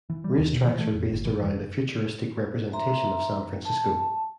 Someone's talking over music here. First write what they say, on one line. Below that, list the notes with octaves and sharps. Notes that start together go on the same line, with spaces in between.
Race tracks are based around a futuristic representation of San Francisco.
E3
G3
D#2
B2
E3
A3
F1
G1
E3
F1
E5 A#5 C6
A5